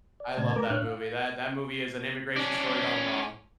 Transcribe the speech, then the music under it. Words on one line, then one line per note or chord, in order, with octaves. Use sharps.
I love that movie, that that movie is an immigration story gone wrong.
D5
A#2 C#3 A3 D5 A5 G#6
A3 A#4 B4 A#5 D6
A2 D4 C#5 F6 F#6
F5
C#4 D4